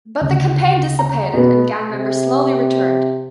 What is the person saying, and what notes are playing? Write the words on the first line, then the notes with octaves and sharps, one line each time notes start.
But the campaign dissipated, and gang members slowly returned.
D2 C#3
A#5
B2 B3
C3